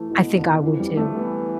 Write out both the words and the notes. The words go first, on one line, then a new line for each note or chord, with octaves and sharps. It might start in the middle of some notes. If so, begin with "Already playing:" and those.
I think I would too.
Already playing: E3 A3
B2 E3
D3
F2 E3
G3
G3
A3
E3 B3